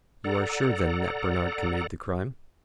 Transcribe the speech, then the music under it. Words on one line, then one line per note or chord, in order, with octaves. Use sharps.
"You are sure, then, that Bernard committed the crime?"
A4 D5 F#5 A#5